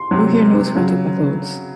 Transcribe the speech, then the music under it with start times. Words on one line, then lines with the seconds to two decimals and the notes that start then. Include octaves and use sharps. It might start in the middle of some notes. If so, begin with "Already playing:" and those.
Who Here Knows Who Took My Clothes?
Already playing: C6
0.11 C3 F#3
0.75 C#3 F#3